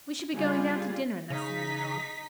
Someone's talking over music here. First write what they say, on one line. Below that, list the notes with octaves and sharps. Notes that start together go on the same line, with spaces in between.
"We shall be going down to dinner in less than an hour."
C#3 G3 F4 G#4
C#3 D#4 B6